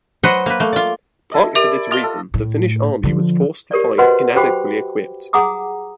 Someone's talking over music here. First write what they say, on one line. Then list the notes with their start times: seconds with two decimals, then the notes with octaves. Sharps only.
Partly for this reason the Finnish Army was forced to the fight inadequately equipped.
0.23 F#3 B4 C5 D#5 F#5
0.46 A#3 B4
0.60 A3 A#3
0.73 F4 D5
1.32 E4 A4 D#5
1.55 G4 A#4 D5 E5
1.91 F4 D#5 D#6 A6 F7 G7
2.03 A4
2.34 A2
3.03 D3 F3
3.71 G4 A#4 C#5 D5
3.98 F#4 B4 C5 D#5 F#5 C6
4.36 F#4 G4 C5 G5 B5 D6
5.33 G#4 F#5 A#5 D6 D#6